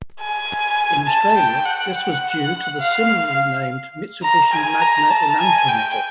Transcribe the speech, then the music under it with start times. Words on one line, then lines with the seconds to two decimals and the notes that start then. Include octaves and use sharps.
In Australia, this was due to the similarly named Mitsubishi Magna Elante model.
0.20 G#5
1.06 A5
1.36 G5
1.65 F#5
2.80 F5
4.23 A#5
4.53 G#5
4.81 A#5
5.10 A5
5.40 G#5
5.68 G5